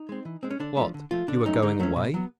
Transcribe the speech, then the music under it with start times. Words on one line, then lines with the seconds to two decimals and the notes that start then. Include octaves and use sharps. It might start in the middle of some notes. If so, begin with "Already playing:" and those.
What! you are going away?
Already playing: D#4
0.09 G#3 C4
0.25 E3
0.43 G#3 C4
0.51 C#4
0.60 D3 D4
0.77 F3 A3
0.94 D3
1.11 F3 A3 F4
1.28 D3 D4
1.46 F#3 A3 C#4 D#4
1.62 D3 D#4
1.79 F#3 A3 C#4
1.96 B2
2.14 F#3 B3